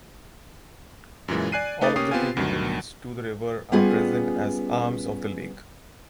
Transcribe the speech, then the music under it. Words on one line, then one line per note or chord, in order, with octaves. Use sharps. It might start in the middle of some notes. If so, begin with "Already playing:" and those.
All of the tributaries to the river are present as arms of the lake.
F#2 A#2 E3 G#3
D5 G#5 F#6 C7 D#7
A3 D#4 B4 D6 D#6 A6
A#3 C#4 G4 C#6 D#6 C7
B3 C4 F4 G4 F5 G#5
D2 G2 D#3 F#3
G3 B3 C#4 F4 G#4